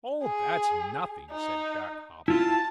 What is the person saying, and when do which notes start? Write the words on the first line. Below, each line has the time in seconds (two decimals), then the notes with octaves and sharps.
'Oh, that's nothing,' said Jack Hopkins.
0.23 G#4
1.31 D#4
2.28 E4 F4 A5